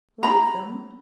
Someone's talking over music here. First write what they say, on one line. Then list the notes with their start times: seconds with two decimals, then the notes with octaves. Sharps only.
Like them!
0.23 A#5 B5